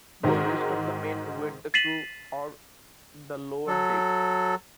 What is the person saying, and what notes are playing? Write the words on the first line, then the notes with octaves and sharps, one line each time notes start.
The rest of the men were the crew, or the 'lower deck'.
G#2 D#3 G#3 F#4 A#4
A6 B6 C7 D#7 E7 F#7
F#3 A4